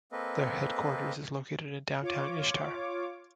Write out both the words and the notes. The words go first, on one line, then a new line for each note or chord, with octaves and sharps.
Their headquarters is located in downtown Ishtar.
A#3 C4 A4 B4 D#5
F4 C#5 D6